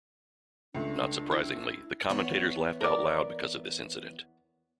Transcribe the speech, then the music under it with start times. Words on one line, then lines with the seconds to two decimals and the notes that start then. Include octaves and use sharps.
Not surprisingly, the commentators laughed out loud because of this incident.
0.74 C#2 A3 D4
1.31 E4
2.10 E2 B3 C#5
2.81 A#4 D5